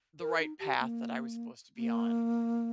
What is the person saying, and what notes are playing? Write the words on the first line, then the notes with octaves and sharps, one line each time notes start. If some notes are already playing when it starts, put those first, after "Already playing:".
the right path that I was supposed to be on,
A#4
D#4
G4
A#3
A#3